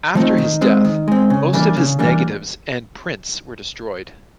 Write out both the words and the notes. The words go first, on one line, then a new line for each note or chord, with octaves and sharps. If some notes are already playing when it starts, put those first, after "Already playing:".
After his death, most of his negatives and prints were destroyed.
F3 A3 C4 D#4
D#3
G#3 C4
D#3
G#3 C4
C#3
E3 G3 A#3 D4
C#3
E3 G3 A#3 D4